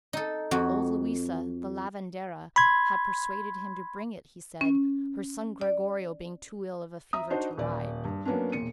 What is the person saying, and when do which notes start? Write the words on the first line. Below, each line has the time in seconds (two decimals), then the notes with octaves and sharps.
Old Luisa, the /lavendera/, had persuaded him to bring it, he said, her son Gregorio being too ill of a fever to ride.
0.13 D#4 A4
0.51 F2 F#4
2.56 B5 C6 G#6
4.61 C#4
5.61 D5
7.13 E5 A#5 D#6
7.30 D4 D#4 F#4 C5
7.58 D#1 D5
8.05 G2
8.25 F#3 A#3 B3 C#4 D4
8.52 E1 A#2 C#7 D#7